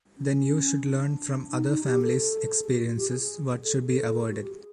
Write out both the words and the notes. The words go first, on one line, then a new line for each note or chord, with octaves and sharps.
Then you should learn from other families experiences what should be avoided...
C#4
D4
D#4
D#4
G4
A4
A4
A4
G#4
G4
F#4
F4
G4
G#4
G#4
A4
G#4
A4
G#4
F#4
G4
G#4